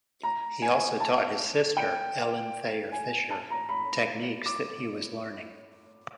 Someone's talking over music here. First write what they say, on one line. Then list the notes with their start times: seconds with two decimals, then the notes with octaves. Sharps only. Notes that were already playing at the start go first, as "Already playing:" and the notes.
He also taught his sister, Ellen Thayer Fisher, techniques that he was learning.
0.23 A#5
0.62 G#5
1.00 A5
1.77 G5
2.92 G#5
3.30 A5
3.51 A#5
3.69 B5
4.46 D6